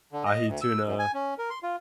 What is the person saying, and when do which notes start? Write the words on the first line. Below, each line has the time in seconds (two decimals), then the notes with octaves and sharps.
ahi tuna,
0.13 D3
0.26 D#5
0.48 D2
0.62 E6
0.86 F#2
0.99 G#5
1.14 C#4
1.38 A#4
1.50 C6
1.63 F4